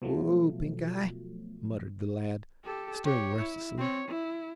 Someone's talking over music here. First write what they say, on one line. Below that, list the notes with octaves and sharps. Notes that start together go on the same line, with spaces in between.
"Whoa, Pink-eye!" muttered the lad, stirring restlessly.
B2 F3 F#3 A3
G4 A4
G4 C#5
E4
C4 C#5
E4